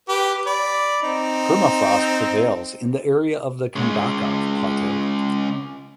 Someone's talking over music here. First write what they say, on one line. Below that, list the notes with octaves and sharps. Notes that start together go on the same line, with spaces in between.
Permafrost prevails in the area of the Kondakov Plateau.
G4 B4 D6
D5 B5
C4 D#4
C#3 G#3